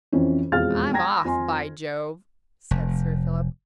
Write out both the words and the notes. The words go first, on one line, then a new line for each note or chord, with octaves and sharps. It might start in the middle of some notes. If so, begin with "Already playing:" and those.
"I'm off, by Jove!" said Sir Philip.
F2 E3 C4 C#4
E1 F2 G#3 F5 F6 A6
G5 A#5 G#6 A#6
F2 G#5 C6
F1